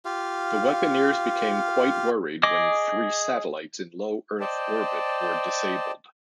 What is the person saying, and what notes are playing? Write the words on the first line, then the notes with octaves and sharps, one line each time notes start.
The weaponeers became quite worried when three satellites in low Earth orbit were disabled.
F4 G4 F5
G#4 D#5 D6
C5 D5 D#5 G5 A5